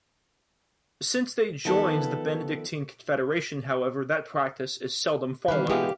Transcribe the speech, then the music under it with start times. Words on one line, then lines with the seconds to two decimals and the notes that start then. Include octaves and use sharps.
Since they joined the Benedictine Confederation, however, that practice is seldom followed.
1.65 D#3 F3 B3 A4 B4
5.48 D#3 E3 G3 B4 F5
5.70 E3 G#3 B3 G4 F5